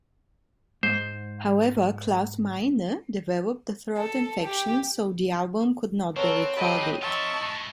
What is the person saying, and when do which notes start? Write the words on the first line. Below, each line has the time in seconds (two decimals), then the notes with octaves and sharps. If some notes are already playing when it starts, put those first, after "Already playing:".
However, Klaus Meine developed a throat infection, so the album could not be recorded.
0.83 G#2 C5
3.98 A4
4.44 G4
6.16 B3 C4 A4 A#4 C#5
6.57 F#3 G4 A4 D#5 B5
7.02 C4 D#4 F4 E5 A5 C#6
7.37 G#3 E4